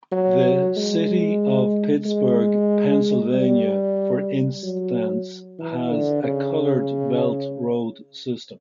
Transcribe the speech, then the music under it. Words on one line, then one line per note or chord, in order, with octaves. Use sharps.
The city of Pittsburgh, Pennsylvania, for instance, has a colored belt road system.
F#3
G#3
G#3
G3
F#3
E3
D3
C#3